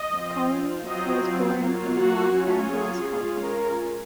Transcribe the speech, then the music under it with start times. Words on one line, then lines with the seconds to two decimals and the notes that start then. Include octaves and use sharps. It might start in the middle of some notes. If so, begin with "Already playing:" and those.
Cooley was born in Los Angeles, California.
Already playing: D#5
0.14 F3 C4 F4
0.87 F#3 C4 F4 D#5
1.23 F4
1.60 F#3 A#3 F4
1.97 F#4
2.33 F#3 C#4 F4
2.70 G#4
3.07 G#3 C#4 F4
3.43 A#4